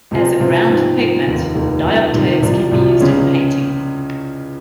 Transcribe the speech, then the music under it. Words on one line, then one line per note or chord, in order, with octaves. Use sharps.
As a ground pigment, dioptase can be used in painting.
C#2 C3 F3 C4 F4
C#2 C3 F3 C4 F4
G#2 F3 C4
G#2 F3 C4
F1 D#2 D#3
F1 D#2 D#3
C#2 C3 D#3 G3
C#2 C3 D#3 G3
C2 C3 F3
C2 C3 F3
C#2 C#3 G#3 C#4